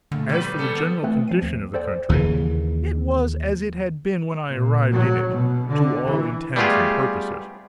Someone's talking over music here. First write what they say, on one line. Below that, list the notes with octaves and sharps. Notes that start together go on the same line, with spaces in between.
As for the general condition of the country, it was as it had been when I arrived in it, to all intents and purposes.
A#2 D3 A3
F3 G3 B3 C4 B4
C#3 A#3 A4
B3
E3 A3 C4 B4
F3 C7 D#7
D#2
A4 C5 D5 G5
D#2 C#3 E3
A#2
F#3
B2
D3
E3
G3 A3 B3 F4 G4 G#4